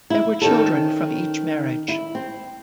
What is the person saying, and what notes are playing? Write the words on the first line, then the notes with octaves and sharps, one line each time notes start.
There were children from each marriage.
E4
D#3 C4 C#4 A4
E4
C4